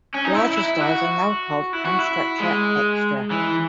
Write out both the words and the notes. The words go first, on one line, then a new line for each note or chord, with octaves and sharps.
Larger stores are now called Poundstretcher Extra.
C#4
D#4
E4
E4
F#4
E4
F#4
E4
G#3
E3